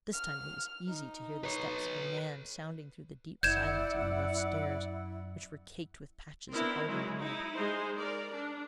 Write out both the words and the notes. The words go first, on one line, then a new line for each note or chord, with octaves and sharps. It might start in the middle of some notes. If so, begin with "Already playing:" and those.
This time it was easy to hear the steps of a man sounding through the deep silence on the rough stairs, which were caked with patches of hardened mud.
F6
D#4
B4 C#5
F#1 E4 D5 F#5 G6 G#6 E7
F#2
B3 C4 D4 E4 A#4
F#3 G#3 D#4 E4
D#4 E4
G#3 D#4 C5
A#4 D5
D4